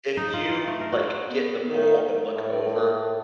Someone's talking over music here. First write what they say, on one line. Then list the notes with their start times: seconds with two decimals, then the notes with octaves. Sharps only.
if you, like, get in the pool and look over
0.17 D#4
0.33 F4
0.49 F4
0.68 A3
0.81 A#4
0.92 F#4
1.28 B3
1.69 D#3
2.36 A2